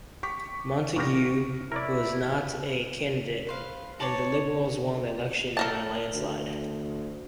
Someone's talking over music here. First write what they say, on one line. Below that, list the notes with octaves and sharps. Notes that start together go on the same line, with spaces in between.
Montague was not a candidate, and the Liberals won the election in a landslide.
G4 C#6 D6 B6
A#2 B3 G4 C#6 F6 A#6
E4 A#4 C#5 D5
B4 C5 F5
D#4 C#5 A5 D6
A4 A#4 A5
D2